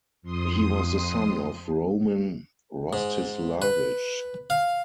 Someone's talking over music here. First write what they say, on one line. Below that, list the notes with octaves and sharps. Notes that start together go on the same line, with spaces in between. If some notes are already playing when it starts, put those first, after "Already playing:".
He was the son of Roman Rostislavich.
F2 C6 D#6
G#2
B4
F5